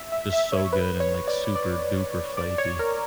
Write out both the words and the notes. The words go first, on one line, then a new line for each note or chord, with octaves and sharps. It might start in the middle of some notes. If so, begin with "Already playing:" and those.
just so good and, like, super-duper flaky.
Already playing: E5
E5
E5
C#5
B4
C#5
D5
D5
D5
C#5
A#4